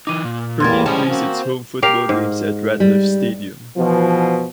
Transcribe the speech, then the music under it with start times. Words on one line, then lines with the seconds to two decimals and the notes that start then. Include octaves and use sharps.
Permian plays its home football games at Ratliff Stadium.
0.07 E3 D#4 D6 D#7
0.24 A#2
0.60 E2 A2 G3 G#3 A#3 C6 G#6 A6
0.86 C#4 C5 A5
1.07 A#3 C4 F#4 G#5
1.82 G4 A#4 F5
2.09 G#2
2.80 G3
3.77 B2 E3 F3